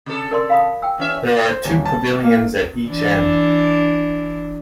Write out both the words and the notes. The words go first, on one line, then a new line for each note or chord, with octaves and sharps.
There are two pavilions at each end.
C3 A4
A#4 D5 C6
F5 B5 D#6
G5 E6
E2 C#4 E5
C5
D#1
A5
A#3
E3 D4